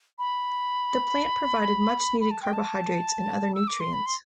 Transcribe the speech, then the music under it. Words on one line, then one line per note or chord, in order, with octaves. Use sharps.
The plant provided much needed carbohydrates and other nutrients.
B5
B5
A5
G5
A5
E6
D6
C6
B5
C6